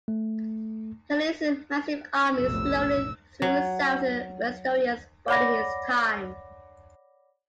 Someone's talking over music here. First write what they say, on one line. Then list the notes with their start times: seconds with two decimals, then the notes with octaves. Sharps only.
He leads his massive army slowly through southern Westeros, biding his time.
0.08 A3
2.37 F1 B1 A2 E6
3.42 F#3
5.28 C#5 D5 F#5 B5 D6 A#6